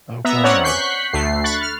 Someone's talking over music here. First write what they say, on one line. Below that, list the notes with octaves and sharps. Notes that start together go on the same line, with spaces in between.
Oh god.
B3 E5 A#5
C4 C#4 C#5 D5 F#5
C#6 F#6 G6 B6 C7
D2 A3 C7
B5 C#6 F#6 A6
F6